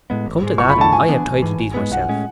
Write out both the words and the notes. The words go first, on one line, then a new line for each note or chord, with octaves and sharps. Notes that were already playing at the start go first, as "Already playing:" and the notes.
Come to that, I have title-deeds myself.
A2 G#3 B3
A1
G#2 G#3
F#1 C#6
B5
E2 D3 A3 A5
G#2 G#5
E3 B3 D4
A1
G#2 E3
G#1
G#2 G#3 B3
B1 F#5
A2 G#3 C#4